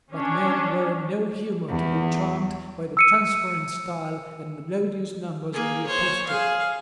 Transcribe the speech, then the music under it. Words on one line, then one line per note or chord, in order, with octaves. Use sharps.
But men were in no humour to be charmed by the transparent style and melodious numbers of the apostate.
C#4 D4
E2
E6 C#7 D#7
A#3 G#4
C5 C#5
G#4 F5